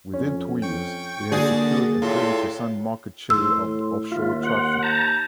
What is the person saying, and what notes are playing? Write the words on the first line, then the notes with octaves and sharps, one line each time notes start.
Within two years it had secured a thirty-percent market share of the offshore traffic.
F2 C#4
G5 C#6
D3 A#3 F#4 G#4 D5 A6
A2 F4 A4 C6
A2 C6 E6
D#2 F4 E5
F#5 C6
A5 A#5 G6